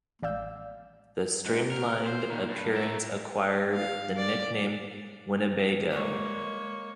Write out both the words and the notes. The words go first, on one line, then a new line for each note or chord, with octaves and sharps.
The streamlined appearance acquired the nickname Winnebago.
A1 D5 F5 E6 G6
G#2
A#4
C5
A#2 D#3
G2
A#4 E5
F5
D5
G#3 A#3 C#5